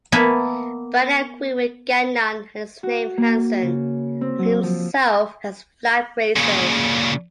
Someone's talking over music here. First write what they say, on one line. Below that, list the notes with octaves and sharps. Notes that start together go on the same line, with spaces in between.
Bradley agreed with Gagnon and his naming Hansen and himself as flag-raisers.
A#3 B3 E5 G#5 A5
F#4
A#3
C#3
C4
F#3
F3
A#2 C#3